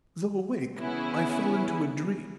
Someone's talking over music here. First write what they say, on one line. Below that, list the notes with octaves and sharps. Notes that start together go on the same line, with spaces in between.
Though awake I fell into a dream.
C#3 E3 B3 C#4 E4 G#4